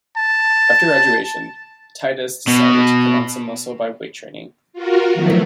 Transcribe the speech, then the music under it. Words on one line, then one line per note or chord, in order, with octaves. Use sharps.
After graduation Titus decided to put on some muscle by weight training.
A5
B2
F4 F#4 A#4
D#3 F3 F#3 A3 B3 E4